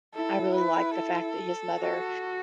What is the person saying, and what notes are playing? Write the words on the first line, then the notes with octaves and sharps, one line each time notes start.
I really liked the fact that his mother
E4 A4
B4
A4
F#4